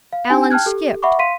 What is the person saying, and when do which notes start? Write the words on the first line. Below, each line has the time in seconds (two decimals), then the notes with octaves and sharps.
Allan skipped.
0.13 F5
0.30 D4 D#4 G4 G#5
0.50 G5 A5 F6 F#6 G#6
0.66 G4 A4
1.02 E5 F#5 B5 C#6 D6
1.19 F5 C6 B6 D#7